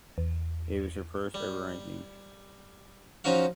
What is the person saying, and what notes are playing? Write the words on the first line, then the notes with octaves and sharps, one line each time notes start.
It was her first ever ranking.
E2
G3
F3 C#4 D#4 F#4 F5